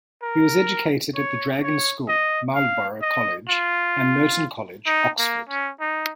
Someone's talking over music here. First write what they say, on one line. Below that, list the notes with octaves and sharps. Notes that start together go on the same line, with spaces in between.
He was educated at the Dragon School, Marlborough College, and Merton College, Oxford.
A#4
C#5
C#5
D#5
F5
D#5
F4
D#4
A#3
C#4
D#4